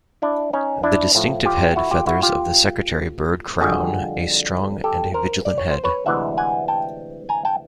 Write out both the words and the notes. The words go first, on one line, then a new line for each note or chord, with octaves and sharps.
The distinctive head feathers of the secretary bird crown a strong and vigilant head.
D4 E4
C#4 D#4
D4 E4
A2 F3 A3
F4 G4
E4 F#4
F4 G4
E4 F#4
F4 G4
F2 D3 G3 F#4 G#4
G4 A4
A#4 C5
D5
C#5
C5
B4 C#5
D2 C3 E3 G#3 E5 F#5
F#5 G#5
G5 A5
G#5 A#5
G5 A5